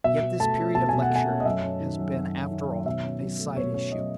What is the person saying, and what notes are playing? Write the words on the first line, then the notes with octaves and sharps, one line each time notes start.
Yet this period of lecturing has been, after all, a side issue.
B2 E5
B2
A3 A5
C#4
B2 A5
B2 G#5
F#5
A3
G#5
C#4
D#5
F#2 E5
C#4
D#3
F#3
F#2
C#4
D#3
F#3
B2 E5
C#4
F#3
A3
B2 C#5
C#4 C#5
F#3 D#5